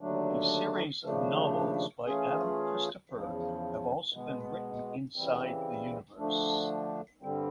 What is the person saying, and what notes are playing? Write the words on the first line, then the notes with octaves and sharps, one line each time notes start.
A series of novels by Adam Christopher have also been written inside the universe.
D#2 D3 F#3 A3 D4
D#2 C#3 F3 A3 D4
E3 A3 C#4 F4 G#4
E2 C#3 F3
B2 G#3 B3
C#3 E3 G3 C4
D3 F3 A3 D4
G2 D3 G3 C4